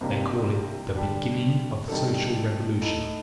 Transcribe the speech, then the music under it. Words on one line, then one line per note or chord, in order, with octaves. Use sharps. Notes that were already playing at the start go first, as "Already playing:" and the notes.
They call it the beginning of social revolution.
C2 C3 D#3 A#3 D4
D3 G3 D4 G4
C3 D#3 G3 D4 A4
A2 A3 D#4